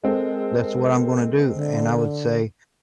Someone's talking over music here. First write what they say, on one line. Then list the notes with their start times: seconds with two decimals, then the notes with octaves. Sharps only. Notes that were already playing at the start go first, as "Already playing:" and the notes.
that's what I'm gonna do," and I would say,
0.04 G#3 C4 A4 A#4
1.54 D3